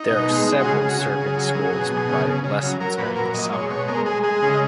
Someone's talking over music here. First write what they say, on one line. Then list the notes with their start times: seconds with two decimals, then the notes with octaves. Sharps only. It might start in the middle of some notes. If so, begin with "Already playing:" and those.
There are several surfing schools providing lessons during the summer.
Already playing: D#4
0.11 B2
0.29 G#3
0.47 G#3
0.60 F#4
0.64 C#3 G#4
0.83 C#3
0.89 F#4
1.01 C#3 G#4
1.18 C#3
1.37 F#3
1.55 F#3
1.73 B2
1.90 B2
2.09 C#3
2.26 C#3
2.44 C#3
2.63 F#3
2.80 F#3 A#4
2.98 A#2 B4
3.16 F#3 A#4
3.34 A#2 D#5
3.52 G#3 C#5
3.70 B2 C#5
3.88 G#3 A#4
4.06 G#3 G#4
4.23 G#3 G#4
4.42 C#3
4.50 D#5